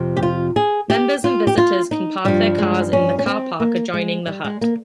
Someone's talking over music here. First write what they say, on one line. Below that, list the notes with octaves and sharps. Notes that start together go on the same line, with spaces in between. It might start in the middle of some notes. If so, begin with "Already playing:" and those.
Members and visitors can park their cars in the car park adjoining the hut.
Already playing: F2 C3 F3
G4
F4
G#4
G4
F4
G4
F4
D#4
G2 F3 G3
G#3
C#4
C#4
C4
A#3
G#3
G3
G#3
A#3